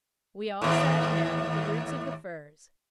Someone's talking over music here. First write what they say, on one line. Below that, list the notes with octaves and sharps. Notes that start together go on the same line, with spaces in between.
We all sat down at the roots of the firs.
D#2 A2